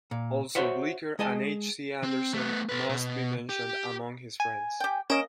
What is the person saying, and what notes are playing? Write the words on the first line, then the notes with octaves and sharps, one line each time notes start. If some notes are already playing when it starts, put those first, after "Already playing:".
Also Blicher and H. C. Andersen must be mentioned among his friends.
A#2
F#4 C5 C#5 E5 F#5
G#3 G#4 D#5 G#5 A5
C4
A3 B3
A4 B4
B2
G4
G#5
G4 G5
A#3 C#4 D#5 D7 E7